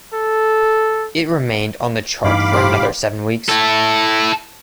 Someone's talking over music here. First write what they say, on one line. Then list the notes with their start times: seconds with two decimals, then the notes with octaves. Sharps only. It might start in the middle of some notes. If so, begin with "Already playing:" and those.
It remained on the chart for another seven weeks.
0.14 A4
2.24 A1 G2 D#4 F5 B5 D6
2.53 C3 F3
3.49 E4 A4